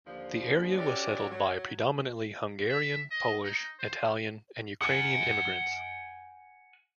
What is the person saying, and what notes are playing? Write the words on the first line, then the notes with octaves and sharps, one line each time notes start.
The area was settled by predominantly Hungarian, Polish, Italian and Ukrainian immigrants.
D#2 D3 F3
C#4 F#4 G4 A4 C#5 D5
F#3
E5
D#5
D#4
C5
F#5 G#5